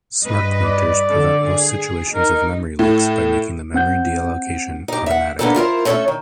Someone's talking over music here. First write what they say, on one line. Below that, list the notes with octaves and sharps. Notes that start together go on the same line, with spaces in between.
Smart pointers prevent most situations of memory leaks by making the memory deallocation automatic.
G2 B4 D#5
D5
D3 A4
G#4
D#4 A#4
A2
C4 F#5 G6
D#4 G4
E5 F#5
A#3 B3 D4 D#4 G#4 A4
E4 F4 A#4 C5
A3 C#4 A4 B4 C#5 E5
D#3